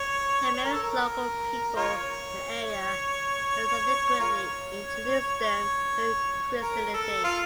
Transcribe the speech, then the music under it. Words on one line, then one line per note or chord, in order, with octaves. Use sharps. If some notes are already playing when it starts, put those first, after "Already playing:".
They married local people in the area and subsequently introduced them to Christianity.
Already playing: C#5
C#5
A#4
A4
A#4
F4 A#4 C#5
F4 A#4 C#5
C#5
A#4
A4
F4